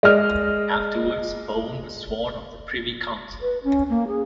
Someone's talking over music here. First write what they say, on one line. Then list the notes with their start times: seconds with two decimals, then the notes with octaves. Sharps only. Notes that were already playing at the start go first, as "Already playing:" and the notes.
Afterwards, Bowen was sworn of the Privy Council.
0.03 G#3 D5 D#5 F6
3.42 B4
3.64 C#4
3.89 A#3
4.07 G#4